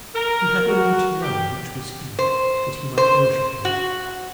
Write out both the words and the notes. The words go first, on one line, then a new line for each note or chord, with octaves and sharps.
He had only to know which was he, that he might worship him.
A#4
F#4
G4
C5
C5
F#4